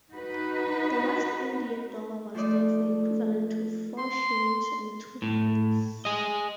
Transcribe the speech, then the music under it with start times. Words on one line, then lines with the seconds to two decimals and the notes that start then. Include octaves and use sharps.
The West Indian dollar was therefore equivalent to four shillings and two pence.
0.11 D#4 F#4 B4
2.35 F3 A3 D#4 D5 D#5
3.98 C6
5.22 A2
6.05 G#4 D#5